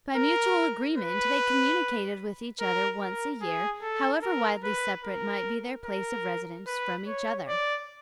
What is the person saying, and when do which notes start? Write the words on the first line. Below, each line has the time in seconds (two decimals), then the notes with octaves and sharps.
By mutual agreement they communicated with each other once a year, however widely separate might be their place of residence from each other.
0.16 A#4
0.98 B4
2.61 A#4
3.01 A#4
3.41 G#4
3.82 A4
4.23 A#4
4.64 B4
5.04 A#4
5.85 A#4
6.67 B4
7.07 C#5
7.48 D5